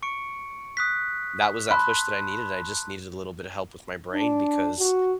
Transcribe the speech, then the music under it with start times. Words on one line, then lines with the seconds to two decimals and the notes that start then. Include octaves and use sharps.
that was that push that I needed, I just needed a little bit of help with my brain because
0.03 C#6 C#7 D7
0.77 D#6 F#6 B6
1.71 A5 B5 C6 F#6
4.13 D4
4.79 F#4